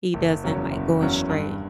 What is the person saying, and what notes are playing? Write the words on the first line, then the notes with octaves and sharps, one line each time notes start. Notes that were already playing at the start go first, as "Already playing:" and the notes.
he doesn't, like, go astray.
F#1
E2 C#3 F#3 C#4
F#1
E2 C#3 F#3 C#4
G2